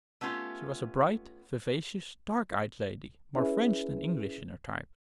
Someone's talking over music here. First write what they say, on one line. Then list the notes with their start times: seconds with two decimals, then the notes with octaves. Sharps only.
She was a bright, vivacious, dark-eyed lady, more French than English in her type.
0.21 A3 B3 C#4 F4 G4
3.36 C#4 E4 G#4 B4 E5